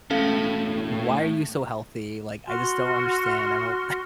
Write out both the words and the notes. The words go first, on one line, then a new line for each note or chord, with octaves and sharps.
Why are you so healthy, like, I just don't understand." I don't
E1 A2 C#4 A4 F5
F#4 C6 F6